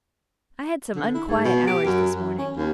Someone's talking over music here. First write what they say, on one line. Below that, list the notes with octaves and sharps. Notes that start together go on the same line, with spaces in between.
I had some unquiet hours this morning.'
D3
E4
G#2
B2
G4
F#2
F#2
C#4
D#2